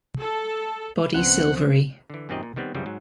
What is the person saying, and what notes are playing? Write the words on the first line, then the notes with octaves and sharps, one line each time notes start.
Body silvery.
A4
D2 C#3 F3 B3 C4 D4 C5 F#5
D3 E3
F#2 A#2 D#3 C4 G4 D#5
A#2
D#3 G3 B3 C4
C2 F#2 C#3 E3 F3 G3
G#2 F#3